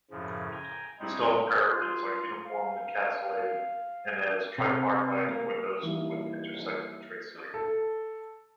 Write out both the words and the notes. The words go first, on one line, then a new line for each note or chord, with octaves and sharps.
The stone parapets are uniformly castellated and it has tripartite windows with intersecting tracery.
F#2 A2 C#3 F3
G5 G#5 A#5
G3 G#3 C4 D#4 E4
F4
F5
C3
A#3
E3 G3 A#3 D#4
A4